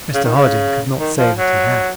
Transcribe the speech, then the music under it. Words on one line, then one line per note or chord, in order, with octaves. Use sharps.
Mr Harding could not say that he had.
C#3
D#3
C#3
D#3
F3
F#3